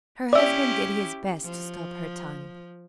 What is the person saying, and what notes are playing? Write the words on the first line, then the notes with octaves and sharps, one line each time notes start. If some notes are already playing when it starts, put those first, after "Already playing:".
Her husband did his best to stop her tongue.
C#4 E4 G4 D5 E5
F3